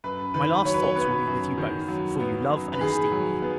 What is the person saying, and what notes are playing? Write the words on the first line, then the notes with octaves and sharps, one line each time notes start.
My last thoughts will be with you both, for you love and esteem me.
F#2 B4
D#3 B4
F#3 C#5
B4
C#5
B3 B4
F#2
D#3
F#3
B3
F#2
B4
D#3 G#4
F#3
B3